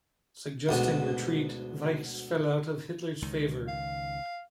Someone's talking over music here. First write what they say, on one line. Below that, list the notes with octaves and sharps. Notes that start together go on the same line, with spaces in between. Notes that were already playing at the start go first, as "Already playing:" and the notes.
Suggesting retreat, Weichs fell out of Hitler's favor.
D2 G#2 B2
C#2 D#3
F5